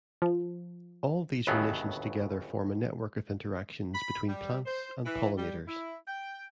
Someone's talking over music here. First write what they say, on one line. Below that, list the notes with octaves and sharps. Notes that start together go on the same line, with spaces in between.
All these relations together form a network of interactions between plants and pollinators.
F3
G1 D#2 A2 C#3 F#3 B3
B5
G3
C5
E3
G3
E4
G5